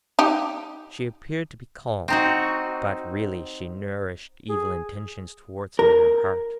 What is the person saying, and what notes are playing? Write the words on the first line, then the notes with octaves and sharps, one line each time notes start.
She appeared to be calmed, but really she nourished evil intentions towards him in her heart.
D#4 G4
C4 D#4 F#4
G#4
A#4